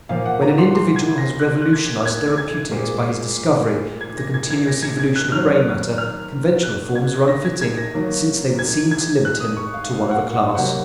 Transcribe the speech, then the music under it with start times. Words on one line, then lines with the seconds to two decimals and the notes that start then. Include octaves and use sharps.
When an individual has revolutionised therapeutics by his discovery of the continuous evolution of brain-matter, conventional forms are unfitting, since they would seem to limit him to one of a class.
0.09 A#2 F3 A#3 F5
0.26 F#5
0.42 A#5
0.58 C6
0.75 C6
0.96 G#6
1.18 A#6
1.40 F#6
1.62 F#6
1.73 G#6
2.06 G#6
2.38 G#6
2.71 A#2 G#3 C4
4.01 G#6
4.18 A#6
4.34 G#6
4.50 G#6
4.67 A#6
4.83 G#6
4.99 G#6
5.16 F#6
5.32 D#3 F#3 C4 F6
5.98 F6
6.63 F#6
6.95 G#6
7.28 A#6
7.45 G#6
7.61 G#6
7.77 A#6
7.93 D#3 F#3 A#3
8.59 G#6
8.91 G#6
9.25 F#6
9.40 D#6
9.57 C#6
9.74 F5
9.90 F5
10.11 F#5
10.34 F#5
10.55 C3 F#3 A#3 F#5